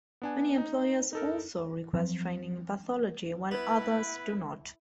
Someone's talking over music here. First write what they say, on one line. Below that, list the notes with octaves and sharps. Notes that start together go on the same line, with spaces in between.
Many employers also request training in pathology while others do not.
B3 D4 G#5
D#4
D#4 A4 A#4
F3 F#3 C4
B3 E4 B4